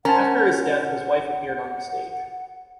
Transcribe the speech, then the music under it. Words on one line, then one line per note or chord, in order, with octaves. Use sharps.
After his death his wife appeared on the stage.
C#4 A#4 C5 F#5 A5